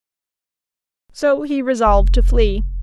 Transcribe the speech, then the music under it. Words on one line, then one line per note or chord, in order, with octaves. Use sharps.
So he resolved to flee.
F1